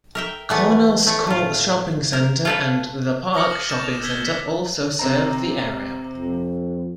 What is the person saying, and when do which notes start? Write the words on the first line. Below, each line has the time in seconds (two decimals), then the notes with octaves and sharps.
Cornelscourt shopping centre and "The Park" shopping centre also serve the area.
0.15 A#4 E5 G5
0.49 E3 A3 B3
1.06 A3 C#5
1.27 A2 F4
2.13 A#4
2.45 F4 A4 B4
3.34 D#6 F6 A#6 C#7
3.51 D6 F#7
3.69 D6 G6 A6 E7
3.84 F7
4.03 E6 G#6 B6 G7
4.25 B6
4.99 C3 C4 A#5
6.17 F2